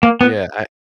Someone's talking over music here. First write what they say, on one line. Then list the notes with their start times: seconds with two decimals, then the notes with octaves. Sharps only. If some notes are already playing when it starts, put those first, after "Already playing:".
Yeah, I
0.03 A#3
0.21 B3